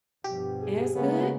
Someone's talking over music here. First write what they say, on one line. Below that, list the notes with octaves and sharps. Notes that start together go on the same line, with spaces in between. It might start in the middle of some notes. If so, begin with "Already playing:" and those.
as good,
G2 B2 F3 G4
G#4
C#3 G#3 A#3 B3 C#4